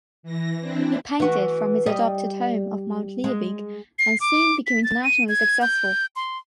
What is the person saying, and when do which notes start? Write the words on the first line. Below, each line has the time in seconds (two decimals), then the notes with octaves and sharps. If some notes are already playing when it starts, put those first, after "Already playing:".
He painted from his adopted home of Mount Liebig and soon became internationally successful.
0.23 E3 A#6
0.60 E3 C4 D4 E4
1.20 E3 F#4
1.86 G3 D#5
3.24 G#3
3.99 C7
4.20 D6
4.66 B6
4.84 A6
5.04 D#7
5.29 G#6
5.62 G6
6.16 C6